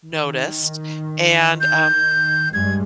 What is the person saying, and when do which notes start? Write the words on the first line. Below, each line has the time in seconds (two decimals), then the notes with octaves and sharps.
noticed, and, um,
0.13 D#3
1.60 G6
2.53 G2 G3 G#3 G#6